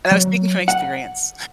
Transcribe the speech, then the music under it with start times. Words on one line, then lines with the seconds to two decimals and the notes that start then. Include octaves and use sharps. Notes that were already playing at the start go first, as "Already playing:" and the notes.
and I was speaking from experience.
0.11 F#3
0.68 F#5